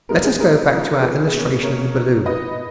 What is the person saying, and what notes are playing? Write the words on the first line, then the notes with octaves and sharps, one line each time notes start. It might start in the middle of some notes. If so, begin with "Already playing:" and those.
Let us go back to our illustration of the balloon.
A#2 G#3 B3 D#4 A#4
G#4
A#2 G#3 B3 D#4 A#4
C#3 F3 B3 D#4
C#3 F3 B3 D#4 G#4 B4
B2 A#3 C#4
B2 A#3 C#4 A#4 C#5
F3 B3 D#4
F3 B3 D#4 B4 D#5